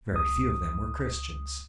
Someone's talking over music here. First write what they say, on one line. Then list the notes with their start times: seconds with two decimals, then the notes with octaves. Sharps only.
Very few of them were Christians.
0.12 C#2 D#6